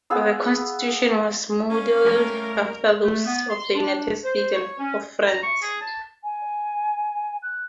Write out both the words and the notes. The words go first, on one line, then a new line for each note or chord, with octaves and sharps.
The constitution was modeled after those of the United States and of France.
B3 G#4 F5 E6
C#4 F5
G3 A3 A#3 A#4
A3
B3
C6
D4
C5
C#5
C#4
A#5
C#6
G#4
A5
G#5
F#6